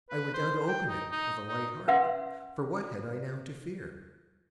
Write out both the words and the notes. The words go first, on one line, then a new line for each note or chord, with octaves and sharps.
I went down to open it with a light heart,--for what had I now to fear?
B4
C5
G5
D#4
D#4
D#4
C#4 B4 E5 F#5 C6